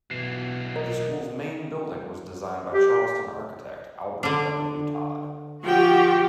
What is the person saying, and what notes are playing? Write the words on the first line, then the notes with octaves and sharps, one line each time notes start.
The school's main building was designed by Charleston architect Albert W. Todd.
B1 B2 E3 C7
A#4 D#5
G4
D3 D4
F3 F#4 G4 G5